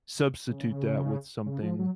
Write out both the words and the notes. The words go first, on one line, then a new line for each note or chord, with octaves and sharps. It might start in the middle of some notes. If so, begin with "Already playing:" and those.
substitute that with something
C#3
C#3
F3
F#3